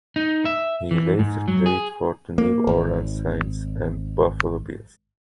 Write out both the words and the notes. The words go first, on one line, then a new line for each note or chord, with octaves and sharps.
He later played for the New Orleans Saints and Buffalo Bills.
D#4
E5
E3
G#2
F#3
G#4
A#3
G#1